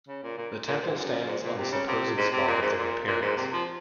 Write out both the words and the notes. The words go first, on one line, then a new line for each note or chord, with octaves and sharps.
The temple stands on the supposed spot of their appearance.
C#3
A#2
A#2
A#2
G#2
F#2
G#2
A#2
C3
C#3
C3
G#2
C3
A#2
G#2
A#2
A#2
G#2
C3
F3